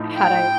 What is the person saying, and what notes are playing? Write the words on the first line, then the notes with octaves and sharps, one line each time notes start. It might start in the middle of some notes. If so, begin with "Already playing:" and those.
had I
Already playing: A2 F3 D#4
G5